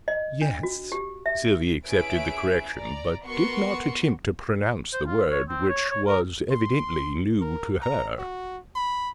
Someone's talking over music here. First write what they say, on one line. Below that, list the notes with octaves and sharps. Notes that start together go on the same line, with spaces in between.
"Yes." Sylvie accepted the correction, but did not attempt to pronounce the word, which was evidently new to her.
D#5
D4
F#4
G4
E5
C#4 E4 G#4 B4 E5 D7
D5 A#5
B3 F#4 A#4 C6 C#6 C#7
C5
F4
C#5
C4
C#5
C#5
A#4
C6
A#4
A#5
F#4
B5